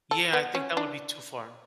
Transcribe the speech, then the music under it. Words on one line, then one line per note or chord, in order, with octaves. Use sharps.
Yeah, I think that would be too far.
A4
B3
C#4
D4